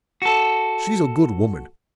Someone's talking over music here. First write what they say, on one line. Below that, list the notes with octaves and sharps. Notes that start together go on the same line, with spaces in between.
She's a good woman.
F#4 A4